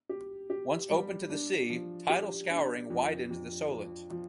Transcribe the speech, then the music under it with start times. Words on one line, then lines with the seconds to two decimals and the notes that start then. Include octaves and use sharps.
Once open to the sea, tidal scouring widened the Solent.
0.09 G4
0.50 G4
0.90 G3
1.30 D4
1.70 F3
2.10 G4
2.50 D4
2.90 F2
3.31 F2
3.71 F3
4.11 F3